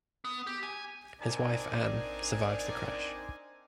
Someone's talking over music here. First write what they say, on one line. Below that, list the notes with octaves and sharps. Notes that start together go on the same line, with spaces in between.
His wife Ann survived the crash.
B3
G4
G#5
C4 D4 D#4 A#4 D5 G#5